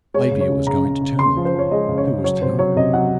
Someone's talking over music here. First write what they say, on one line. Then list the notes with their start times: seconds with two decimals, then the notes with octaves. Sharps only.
Maybe it was going to turn--who was to know?
0.14 G#3 C#5
0.31 C#3
0.40 C#5
0.49 C#3
0.67 C#3 A#5
0.85 C#3
1.01 C#3
1.19 C#3 C6
1.37 F3
1.45 C5
1.54 F3 C#5
1.71 G#3 D#5
1.89 C#3
1.98 C#5
2.07 C#3
2.24 F#3 C#5
2.42 C3 C5
2.59 F#3 C#5
2.76 C3 D#5
2.93 F#3 F#5